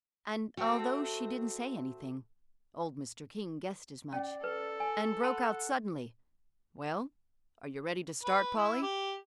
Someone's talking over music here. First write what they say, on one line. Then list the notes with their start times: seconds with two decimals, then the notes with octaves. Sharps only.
And, although she didn't say anything, old Mr. King guessed as much, and broke out suddenly, "Well, are you ready to start, Polly?"
0.57 A3 C4 F#4 G5
4.13 C#4 D5 G5
4.44 A4 B4
4.80 G#5
5.23 F#5 A5 B5 C6
8.23 B4
8.56 E4
8.82 G4